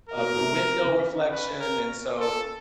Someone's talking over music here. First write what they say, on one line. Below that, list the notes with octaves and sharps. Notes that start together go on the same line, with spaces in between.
of the window reflection, and so
A#4
B2
B2
C3
C#3
B4
A#4
A4